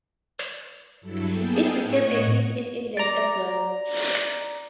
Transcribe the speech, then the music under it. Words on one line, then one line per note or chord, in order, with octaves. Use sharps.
It became a hit in England as well.
G2 F#3 E4 A4
A#3 B3 G#4 A4 G5
A2 D#5 F#5 C#6 G#6
D5 A#5